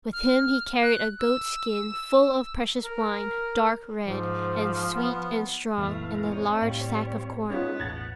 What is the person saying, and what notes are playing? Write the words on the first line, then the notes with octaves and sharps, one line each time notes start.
With him he carried a goat-skin full of precious wine, dark red, and sweet and strong, and a large sack of corn.
F6
F#6
E6
A#4
G#2 F3
B3
F#2 A#2 E3 A3 B3 E4 F5
C4 D#4 C#5
A2 G3 F5 F#7
G#3 B3 C#4 D#4 F4
E1 A1 F#5 G#6 A6